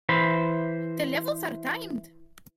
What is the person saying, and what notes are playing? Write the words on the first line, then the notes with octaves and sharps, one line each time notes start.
The levels are timed.
E3 C5 B5